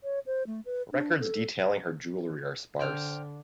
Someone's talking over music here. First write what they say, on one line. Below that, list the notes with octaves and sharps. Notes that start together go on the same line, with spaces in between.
Records detailing her jewellery are sparse.
C#5
C5
A3
B4
D4
A4
D3 C5 G5 F6